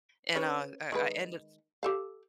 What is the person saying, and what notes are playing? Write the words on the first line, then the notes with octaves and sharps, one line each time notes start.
and, uh, I I ended
C#4 B4 C#5
D#3 G#3 B4
G4 A4 F5